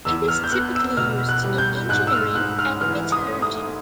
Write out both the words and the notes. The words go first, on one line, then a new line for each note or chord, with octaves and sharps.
It is typically used in engineering and metallurgy.
E2 E6
F6
G6
B3 F#6
E6
B2 F6
F#6
G3
G6
G#2 F#6
E6
F6
G#2 F#6
F6
E3 F6
D#6
A3
D#6